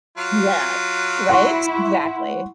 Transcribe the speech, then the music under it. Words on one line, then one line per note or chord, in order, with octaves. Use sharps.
yeah, right? Exactly.
F#3 F4
E4 F#5 C6 C#6